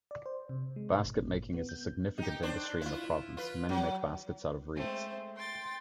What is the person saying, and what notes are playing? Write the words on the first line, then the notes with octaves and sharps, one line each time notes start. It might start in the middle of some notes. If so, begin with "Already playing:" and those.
Basket-making is a significant industry in the province; many make baskets out of reeds.
D5
C5
C3
G#3
B2
G#1
A#2
B3
G6
D#4 G4
D4 C5
E4 F4
F4 B4
F#3
G#3 A3 C4
G5 C6 A6